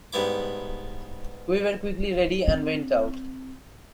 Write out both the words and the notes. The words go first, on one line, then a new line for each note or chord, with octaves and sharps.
We were quickly ready and went out.
G#2 G3 B3 E4 D6
C4